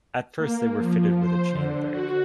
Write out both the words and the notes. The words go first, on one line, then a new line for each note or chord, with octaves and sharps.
At first they were fitted with a chain brake.
A#3
F3
C5
D3
F#4